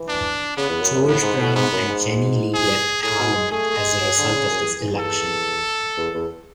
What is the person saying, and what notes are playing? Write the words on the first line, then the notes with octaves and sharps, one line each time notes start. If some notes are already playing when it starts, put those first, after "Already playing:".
George Brown and Jennie Lee left Parliament as a result of this election.
Already playing: E3
D4
C#3 B3
E2
F#2
F#2
A2 B3
G#2
A2
G#2 B3
F#2
G#2
G#4
A2 G#4
B2
G#3
A3 G#4
A3
G#3
F#3
D3
C#3
F#2
E2
E2
A4
E2
E2